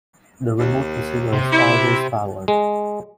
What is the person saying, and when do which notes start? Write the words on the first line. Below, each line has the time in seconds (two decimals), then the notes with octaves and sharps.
The remote receiver is always powered.
0.58 D#2
1.33 C3
1.52 E4
2.48 G#3